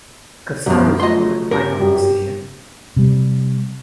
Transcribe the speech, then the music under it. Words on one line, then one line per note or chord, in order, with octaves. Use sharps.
Kozoriz for the final position.
C2 F#2 B2
F3 F#3 A3 D#5 C6
G2 A#4
F#2 G3
G4
C3 G3